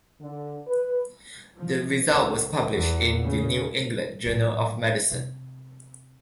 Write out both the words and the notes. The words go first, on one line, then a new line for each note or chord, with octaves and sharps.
The result was published in "The New England Journal of Medicine".
D3
B4
F3
C#2
E2
C#3
A2 F#3
C3